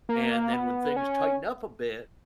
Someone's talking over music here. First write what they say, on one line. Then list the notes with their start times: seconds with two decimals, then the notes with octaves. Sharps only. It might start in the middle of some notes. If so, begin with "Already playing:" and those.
and then when things tighten up a bit,
0.09 A#3
0.53 B3
0.96 C#4